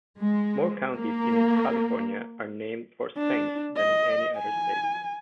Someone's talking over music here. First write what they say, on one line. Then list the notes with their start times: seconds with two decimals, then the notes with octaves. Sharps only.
More counties in California are named for saints than in any other state.
0.20 G#3
0.96 A#3
3.17 D4
3.76 D#5
4.37 G#5